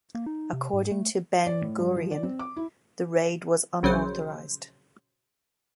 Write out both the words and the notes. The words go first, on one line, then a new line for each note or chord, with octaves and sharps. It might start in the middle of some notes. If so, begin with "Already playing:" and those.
According to Ben-Gurion, the raid was unauthorised.
A#3
D#4
C3
G#2
A3
D5
A2
G2
F3
D5
C4
D6
E4
A#1 C#3 F#3 C5